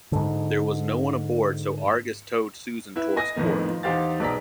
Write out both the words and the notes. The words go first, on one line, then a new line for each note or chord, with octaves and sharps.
There was no one aboard so "Argus" towed "Susan" towards Cork.
G#2 D3
E4 B4 E5
D#5 G#5 A#6
F2 A2 D#3 B3
F3
E2 D#4 G4 C5 F5 A6
B1 B3 G#4 D5 A#5 B6